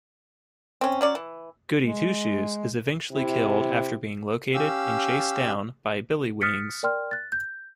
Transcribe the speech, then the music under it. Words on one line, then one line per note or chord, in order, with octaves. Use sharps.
Goody Two-Shoes is eventually killed after being located and chased down by Billy Wings.
C4 C#4
F#3 C#4 D5
E3
G#3
C3 E4
C#4 G4 F5 E6
D#6 F6 F#6 A6 B6 C#7
A#4 D5 G5 C6 F6
F#6 A6
G6